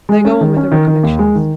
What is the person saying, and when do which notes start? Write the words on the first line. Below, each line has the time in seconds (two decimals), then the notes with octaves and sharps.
They go on with their recollections.
0.09 G#3
0.25 C#4
0.41 D#3
0.57 C#4
0.72 D#3
0.88 D#3
1.03 D#2
1.19 G#3
1.35 D#3